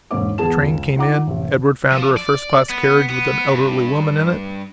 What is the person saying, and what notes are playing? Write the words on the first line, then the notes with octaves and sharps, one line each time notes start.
The train came in; Edward found her a first-class carriage with an elderly woman in it.
E1 G#2 A#3 C#5 D6
E2 B3 G#4 A5 E7
C#2
D#4 F4 F#5 A#5 D6
A1 C3
F3
D5
B3
B3
G2